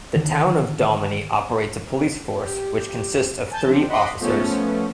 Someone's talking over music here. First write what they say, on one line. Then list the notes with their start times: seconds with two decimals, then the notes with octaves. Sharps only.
The town of Dalmeny operates a police force which consists of three officers.
0.16 D3 D#3
2.39 G4
3.51 G#5 A5 G6 A6
3.66 F3 C4 D4
3.88 D#5 F#5 B5 C6 D6
4.20 F3 A3 B3 C#4